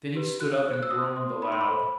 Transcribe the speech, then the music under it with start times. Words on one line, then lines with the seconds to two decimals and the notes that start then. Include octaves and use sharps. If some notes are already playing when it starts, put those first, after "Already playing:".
Then he stood up and groaned aloud.
0.15 G4 B4
0.40 F#4 F#6
0.66 C5
0.73 F#6
0.83 E6
0.90 F#4 D#6
1.16 C5 C6
1.42 D#4 B5
1.52 C6
1.61 B5
1.68 A4 C5